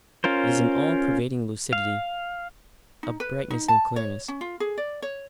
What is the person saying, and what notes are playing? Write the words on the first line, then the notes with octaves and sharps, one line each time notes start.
It is an all-pervading lucidity, a brightness and clearness.
C#4 F4 A#4 C5
F5
D#4
B4
D#4
A5
C#5
C#4
F4
G#4
D5
C#5